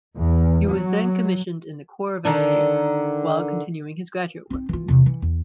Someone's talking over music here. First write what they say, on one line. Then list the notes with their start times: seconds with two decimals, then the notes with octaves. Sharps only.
He was then commissioned in the Corps of Engineers, while continuing his graduate work.
0.17 E2
0.68 F#3
2.25 D3 D#3 D4
4.50 C4 D#4
4.69 E3 F4
4.88 E2 C3
5.06 E3
5.22 E2